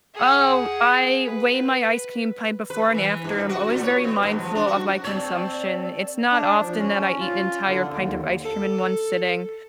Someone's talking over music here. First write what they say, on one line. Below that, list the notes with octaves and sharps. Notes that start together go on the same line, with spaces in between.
Oh, I weigh my ice cream pint before and after, I'm always very mindful of my consumption; it's not often that I eat an entire pint of ice cream in one sitting
G#4 F#5
B4
B4
E3
G2
F#4
A2
C#5
B3
G2
F3
D4
F#4
C4 A4 C#5 D5
D4
F3
C#4
F4
D3
D#2
A4